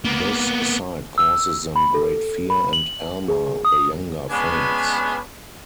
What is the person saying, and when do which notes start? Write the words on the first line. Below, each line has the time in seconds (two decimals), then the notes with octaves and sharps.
This sight causes them great fear and Alma the Younger faints.
0.05 A#3 B3
1.18 E6
1.76 B5
1.94 A4
2.50 B5
2.73 F#7
3.28 G#4
3.65 D#6
4.30 G#3 B3 C#4 D4 B4 G#5